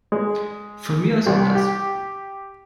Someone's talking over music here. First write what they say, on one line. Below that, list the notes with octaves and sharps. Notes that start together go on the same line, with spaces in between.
Von mir aus auch das.
G#3
C2
G4